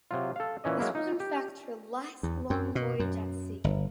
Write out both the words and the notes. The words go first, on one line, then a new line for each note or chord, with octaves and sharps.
This was in fact her last long voyage at sea.
C3 F#3 F4
A4 F5
A#2 E3 C#4 D#5
F#3 G#3 A#3 E4
D#4
G4
E2
F#2
B2
F#2
G1